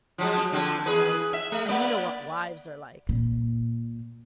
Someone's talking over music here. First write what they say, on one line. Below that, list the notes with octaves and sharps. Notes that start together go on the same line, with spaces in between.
She is my wife; and you know what wives are like.
F3 F#3 G#3
D3 F3 C4
E2 G#4 B4
E5
A3
A#3 D5
A#2